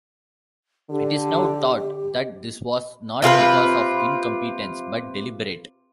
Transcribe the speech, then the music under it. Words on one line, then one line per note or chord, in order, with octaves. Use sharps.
It is now thought that this was not because of incompetence, but deliberate.
D3 G4
C3 F4 A4 B4